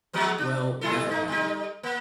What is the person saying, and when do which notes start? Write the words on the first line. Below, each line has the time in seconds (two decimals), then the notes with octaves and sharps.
Well never mind.
0.13 F3 G#3 B3
0.38 D4
0.81 G3 E4 A4
1.10 A3 D#4
1.28 G3 D#4
1.83 A#3